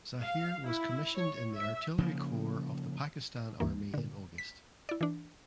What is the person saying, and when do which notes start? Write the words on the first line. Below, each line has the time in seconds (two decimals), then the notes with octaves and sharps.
Zahir was commissioned in the Artillery Corps of the Pakistan Army in August.
0.20 F5
0.66 E4
1.16 C#5
1.55 E5
1.98 C#3 F3 A#3
3.60 D2 G2 E3 A#3
3.94 A#2 D3
4.38 B6
4.89 E4 D5
5.01 E3 D4